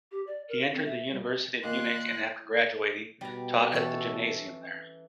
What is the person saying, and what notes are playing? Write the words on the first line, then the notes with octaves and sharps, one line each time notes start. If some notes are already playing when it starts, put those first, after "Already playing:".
He entered the University of Munich and after graduating, taught at the gymnasium there.
G4
D5
A#4
F5
C4
E5
G3
A#2 D#3 C6 F#6
B2 G3 A#5
E3 C#4 A4